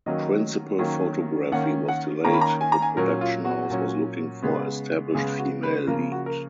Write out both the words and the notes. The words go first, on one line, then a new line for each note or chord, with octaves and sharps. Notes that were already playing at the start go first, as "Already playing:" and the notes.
Principal photography was delayed the production house was looking for established female lead.
D#3 F#3 A#3 C#4 D#5
D#3 F#3 A#3 C#4
D#3 A#3 C#4 F#5
F#5
D#3 A#3 C#4 A#5
B5
A#5
G#5
A#5
G#5
A#2 F#3 C#4 A#4
F4
F#4
A#2 F#3 C#4
C#3 G#3 B3
C#3 G#3 B3 G#4
F#4
B4
C#3 F3 A#3 A#4
F#4
A#4